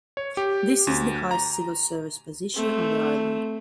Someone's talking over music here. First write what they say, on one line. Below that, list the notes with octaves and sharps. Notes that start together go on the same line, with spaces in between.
This is the highest civil service position on the island.
C#5
G4
D2
A#5
A3 C4